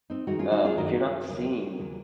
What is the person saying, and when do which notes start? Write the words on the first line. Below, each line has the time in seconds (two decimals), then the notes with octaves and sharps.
Um, if you're not seeing
0.10 C4 D#4
0.26 F2 D#3 G#3 D#4 F#4
0.39 C#4 F4
0.52 D#4 F#4
0.65 F4 G#4
0.77 F#2 D#3 F#3 F#4 A#4
1.28 D#2 C#3 F#3
1.78 D#2 C#3 F#3